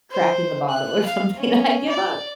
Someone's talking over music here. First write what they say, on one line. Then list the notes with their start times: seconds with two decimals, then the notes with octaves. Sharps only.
cracking the bottle or something, "I give up!"
0.11 C5
0.69 F#6
1.06 F5
1.36 C#4
1.87 D5